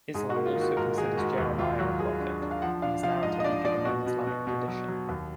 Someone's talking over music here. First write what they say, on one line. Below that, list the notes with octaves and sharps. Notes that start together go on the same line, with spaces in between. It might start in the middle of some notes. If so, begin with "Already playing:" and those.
Islam also considers Jeremiah a prophet, and his narrative is given in Islamic tradition.
G#2 G#4
F#4
A#3
F4
D#3
F#4
G#2 A#4
D#3 G#4
G#2 F#4
D#2 F#4
D#2 F4
F#3 F#4
D#2 G#4
D4
D4
F5
F3 F#5
D4 F5
F3 F5
G#2 D#5
D#5
D4 D5
F3 D5
B2 F#4
B2
B2
B2
F#3
F#3
D#2